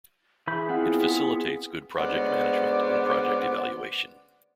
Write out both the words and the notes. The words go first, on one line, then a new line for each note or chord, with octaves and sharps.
It facilitates good project management and project evaluation.
E3 G#4 B5 G6
B3 C4 E4 F4 F#5
D2 G#3 B3 C#4 C5 D5